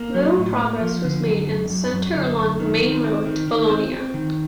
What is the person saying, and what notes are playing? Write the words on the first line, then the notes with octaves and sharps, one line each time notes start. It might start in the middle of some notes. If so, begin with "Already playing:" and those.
Little progress was made in the centre along the main road to Bologna.
Already playing: A#3
F#3
A2
A#3
F3
D3
F#2
F#2
F#2
F#2
D3
F#2
D#3
D#3
C4
D#3
D#3
C4
C4
D#3